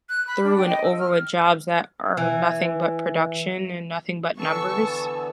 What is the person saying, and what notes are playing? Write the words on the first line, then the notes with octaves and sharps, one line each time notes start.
through and over with jobs that are nothing but production, and nothing but numbers.
F#6
B5
D4
G5
D#5
E6
F6
E3
D3 E3 B3 A5 C#6 E6